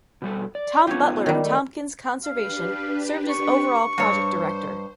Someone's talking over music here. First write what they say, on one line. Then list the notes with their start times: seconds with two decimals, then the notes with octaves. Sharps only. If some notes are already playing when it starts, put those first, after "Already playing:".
Tom Butler of Tompkins Conservation served as overall project director.
0.22 B2 G3 A4
0.55 D5
0.87 B3 D#4 F4 G4 C#5
1.26 D#3 G3
1.45 A3
2.25 D4 G4 B4 F5
3.30 C#6
3.98 G2 C5 C#5